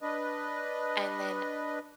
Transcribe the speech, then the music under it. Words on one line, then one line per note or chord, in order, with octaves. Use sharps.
and then,
D4 B4 D#5